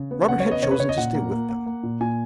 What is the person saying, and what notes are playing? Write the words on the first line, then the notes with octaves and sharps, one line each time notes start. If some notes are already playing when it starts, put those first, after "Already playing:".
Robert had chosen to stay with them.
Already playing: C#3
B3
C#3 F#5
C#5
B3
D#5
C#3 C#5
B4
C#3 C#5
D#5
A#2 F#5
A#3
A#3
A#3
A#3
A#2
A#2 G#5